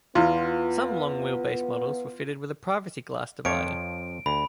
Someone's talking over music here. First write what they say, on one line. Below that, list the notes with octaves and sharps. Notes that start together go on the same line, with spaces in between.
Some long-wheelbase models were fitted with a privacy glass divider.
E2 B3 F4
F2 F3 C#5 D7
D2 B5